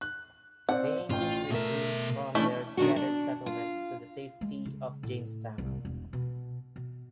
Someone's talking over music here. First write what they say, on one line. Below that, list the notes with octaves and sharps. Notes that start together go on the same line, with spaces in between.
The English withdrew from their scattered settlements to the safety of Jamestown.
F#6
C4 D5 F#5
A1 F4 G5
B2 A3 A#4 E5
E3 A3 C#4 D4 E4
B2 D#3 D4 F#4
D4
F4
G#3
C#3
A2
C2
E1
B2
B2